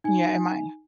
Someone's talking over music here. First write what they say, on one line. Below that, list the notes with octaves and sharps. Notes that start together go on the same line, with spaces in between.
Yeah, it might.
D#4 G#5